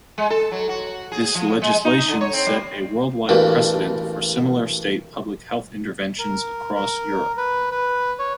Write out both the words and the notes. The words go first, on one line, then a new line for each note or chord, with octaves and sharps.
This legislation set a worldwide precedent for similar state public health interventions across Europe.
G#3
A4
F#3
F#4
G#4
F3
G#3
D#4
D3
C#5
C4
G3
A1 G2 B2 A#3 A5 B5
A#4
A#4
B4
B4
C#5